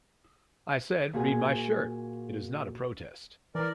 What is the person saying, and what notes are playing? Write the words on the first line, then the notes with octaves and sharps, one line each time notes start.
I said, 'Read my shirt, it is not a protest.
A#2 F#4 G#4 G#5
E3 A#4 D5